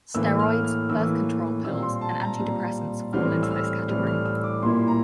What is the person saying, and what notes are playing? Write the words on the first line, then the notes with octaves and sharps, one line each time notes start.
Steroids, birth control pills, and antidepressants fall into this category.
A2 E3 A#3 E6
F6
F6
A2 E3 A#3 E6
A#2 G3 C4 E6
C6
A5
A#5
A#2 G3 C4
A2 E3 G3 C4 F6
E6
F6
A2 E3 G3 C4 F6
F6
E6
D6
A#2 G3 A#3 E4 C6
A#5